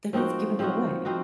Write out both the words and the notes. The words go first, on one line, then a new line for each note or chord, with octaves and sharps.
then I've given it away.
F3 C4 D#4 F#4
F3 C4 D#4 F#4
F3 C4 D#4 F#4